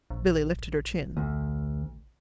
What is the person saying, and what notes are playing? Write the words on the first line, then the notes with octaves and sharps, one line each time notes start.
Billy lifted her chin.
A#1
D2